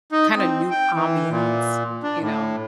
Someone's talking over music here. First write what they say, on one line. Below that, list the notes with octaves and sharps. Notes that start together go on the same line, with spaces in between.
kind of new ambiance, you know.
D#4
C4
G5
E3
A#2
D4
A2